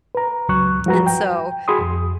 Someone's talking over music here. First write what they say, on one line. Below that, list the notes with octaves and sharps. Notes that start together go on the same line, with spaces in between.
and so
B4 A#5
C#2 F#3 C#6 F#6
F3 G3 F#4 B4 A#5
G5
F#4 G#4 B5 C6 D#6
F2